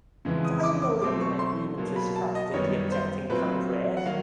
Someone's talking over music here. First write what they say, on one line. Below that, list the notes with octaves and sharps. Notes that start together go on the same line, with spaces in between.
Finally an agreement was struck with the objecting countries.
F2 C#3 E3 G#3
D#6
D6
D6
B2 F#3 A3 C4 D6
C#6
C6
B2 F#3 A#3
B5
A5
D#5
F#2 D#3 G3 B3 C#5
C5
A#2 F#3 A3 C4 B4
F#5
D#3 F#3 A#3 F5